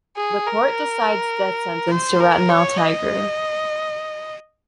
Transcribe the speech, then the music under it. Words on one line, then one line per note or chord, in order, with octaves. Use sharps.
The court decides death sentence to Ratanlal Tiger.
G#4
A#4
C5
A#4
C#5
D#5